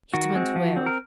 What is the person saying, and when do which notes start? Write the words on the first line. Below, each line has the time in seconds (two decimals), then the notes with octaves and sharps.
It went well.
0.14 D#3 F#4
0.35 G#3 C4
0.56 F3
0.76 C4
0.86 A#4